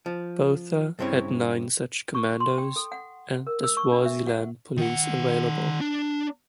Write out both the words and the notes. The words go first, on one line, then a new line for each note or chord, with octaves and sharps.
Botha had nine such commandos and the Swaziland Police available.
F3
G2 C#3 C4 E4 C#5
C#6
C6
G5
A4
F#5
A#4
E6
C#6
D4
E5
F#5
D#3 F#5
D4